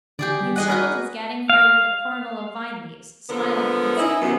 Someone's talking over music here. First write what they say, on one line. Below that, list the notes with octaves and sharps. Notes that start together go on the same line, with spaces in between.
He encircled his gadding hair with a coronal of vineleaves, smiling at Vincent.
D3 G4 G#4 D5
G3
G#4 D#5 F#5
F#4 A#4 B4
F5
D3 F3 B3 A4 A#4
C#4 D#4 E4
F#2 C3 E3 B3